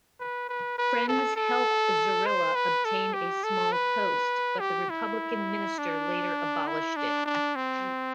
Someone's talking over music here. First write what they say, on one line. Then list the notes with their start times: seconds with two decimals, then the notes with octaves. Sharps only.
Friends helped Zorilla obtain a small post, but the republican minister later abolished it.
0.20 B4
0.49 B4
0.78 B4
1.08 A4
1.36 A4
2.26 C5
2.55 B4
2.85 A4
3.13 G4
3.44 A4
3.72 B4
4.60 G4
4.90 E4
5.78 D4
6.67 E4
6.96 D4
7.25 D4
7.55 C4